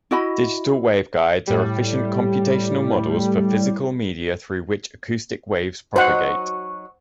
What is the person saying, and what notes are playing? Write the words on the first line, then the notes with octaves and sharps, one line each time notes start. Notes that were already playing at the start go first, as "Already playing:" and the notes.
Digital waveguides are efficient computational models for physical media through which acoustic waves propagate.
E4 F#4 D#5 B5
A2 G3
F#3 D#4 F#4 C5 F#5